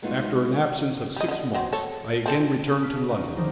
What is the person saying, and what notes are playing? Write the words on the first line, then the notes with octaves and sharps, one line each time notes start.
After an absence of six months, I again returned to London.
F#3 G#3 A3 B3 D#4 F4
G3 D#5
D3 D#5
F#3 C4
A4 C#5
C4 A4
A5
F6 B6
D#4 F#5 C#6
D3 D#3 F3 D#4 C5 D5